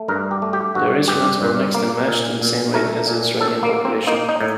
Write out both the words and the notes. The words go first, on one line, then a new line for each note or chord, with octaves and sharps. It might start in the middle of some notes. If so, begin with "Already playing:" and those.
Their instruments were mixed and matched in the same way as the Australian population.
Already playing: A3
G2 A#4
G4
A3
G4
G2 F#4
G2 G4
G2
A#3
A#2
A#2
A3 A#4
A#2
A2 A4
A#3
A#3
C4
A#3 D#4
D#4
A2